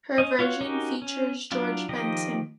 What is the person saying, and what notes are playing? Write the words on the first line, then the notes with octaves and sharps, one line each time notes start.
Her version features George Benson.
C#4 D#5
F4 F#4 C#5 F5
C#4 D#4 F#4 G4 A#4
C#4
F#3 D4 E4 F4
D#3 F3 G4 D#5